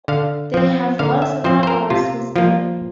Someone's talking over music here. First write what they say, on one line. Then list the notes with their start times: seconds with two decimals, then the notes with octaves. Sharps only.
They have won several awards since then.
0.08 D3 F5
0.54 F3 C4
0.99 D3 F5
1.22 E5
1.44 F3 C4 C5
1.63 C5
1.67 A#4
1.90 C3 F4
2.36 F3 A#3 F4